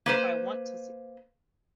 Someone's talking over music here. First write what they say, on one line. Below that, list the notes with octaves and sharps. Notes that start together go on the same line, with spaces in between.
if I want to see."
A#3 B4 C5